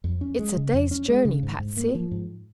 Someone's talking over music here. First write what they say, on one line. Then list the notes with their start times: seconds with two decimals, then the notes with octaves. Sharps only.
"It's a day's journey, Patsy."
0.04 F2
0.21 C#4
0.39 G#3
0.57 C#3
0.74 F2
0.91 C#4
1.08 G#3
1.25 C#3
1.43 G#2
1.59 G#2
1.77 A#3
1.95 F3
2.11 G#2